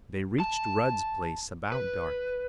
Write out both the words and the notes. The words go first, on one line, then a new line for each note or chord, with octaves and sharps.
They reached Rudd's place about dark.
A5
B4